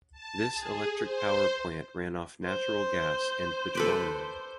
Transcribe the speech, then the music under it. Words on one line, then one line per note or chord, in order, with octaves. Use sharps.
This electric power plant ran off natural gas and petroleum.
A5
G#4
C5
C5
A4 B4 D5